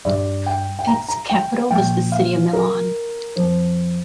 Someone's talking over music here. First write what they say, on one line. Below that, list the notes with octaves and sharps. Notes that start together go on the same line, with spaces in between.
Its capital was the city of Milan.
G2 G3 D5
G5
G5
A#5
A#5
G5
A#2 F3 G5
F5
A#4
F2 F3 C5